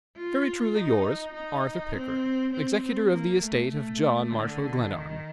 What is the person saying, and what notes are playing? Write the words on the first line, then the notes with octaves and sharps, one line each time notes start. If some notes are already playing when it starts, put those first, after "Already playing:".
Very truly yours, Arthur Pickering, Executor of the Estate of John Marshall Glenarm.
F4
D#4
D#4
C4
C4
C4
A#3
A3
A3
D3
D#3